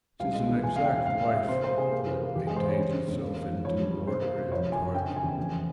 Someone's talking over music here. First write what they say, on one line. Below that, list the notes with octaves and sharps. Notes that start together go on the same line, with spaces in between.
'Tis an exact life that maintains itself in due order in private.
C2 F5
G#3
E3
E1 G#5
E1 F5
G5
E1
C3 F5
A#3
E5
C3
C3 C5
A#3 C5
C3 G#4
A#3
E3
A#3
E2 G4
G#3 G#4
C5
G#3 C#5
C#3
C#3
E1
A#3
A#3
G#2
F2 C#5
G3
G3
C3 C5
A#3
A#3
A#1 C#5
A#1
G#5
A#1
C#3 G5
C#3
G#5
E2
F1